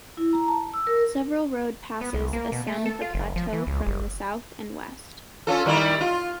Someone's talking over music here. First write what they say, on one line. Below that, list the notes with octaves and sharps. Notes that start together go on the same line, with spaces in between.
Several road passes ascend the plateau from the south and west.
E4
A#5
A5
E6
A#4
B3
C2
A#3
B2
A3
A4
F4
F#1
F3
E3
C#2
F#1
C#4 F4 A4
D#3 G3 E4
F4